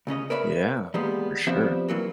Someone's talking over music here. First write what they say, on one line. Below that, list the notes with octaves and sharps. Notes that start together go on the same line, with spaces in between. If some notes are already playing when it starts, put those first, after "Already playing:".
Yeah. For sure.
C#2 C#3 C#4 D#5
A#4 B4 C#5 D5 E5 B5
E3 G3 G#3 A#3 B3
F3 G3 B3 C4 C5 E5
E3 F#3 A#3